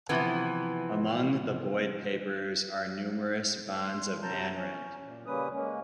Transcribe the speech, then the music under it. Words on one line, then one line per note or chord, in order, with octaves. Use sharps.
Among the Boyd Papers are numerous bonds of manrent.
C3 E3 F3 B3
C6
C3 F#3 A5 A#5 G6
C#4
A#2
C#3 G3 A#3 C#4 B4 D#6
G#3 A#3 C#4